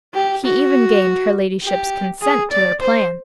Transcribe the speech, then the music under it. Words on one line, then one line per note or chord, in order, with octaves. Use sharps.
He even gained her ladyship's consent to their plan.
G4
F#4
G4
G#4
D5
C5